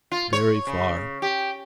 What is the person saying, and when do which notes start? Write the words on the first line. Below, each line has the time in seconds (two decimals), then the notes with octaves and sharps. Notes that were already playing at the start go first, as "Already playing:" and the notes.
"Very far."
0.12 F4
0.33 C#5
0.67 C#3
1.22 G4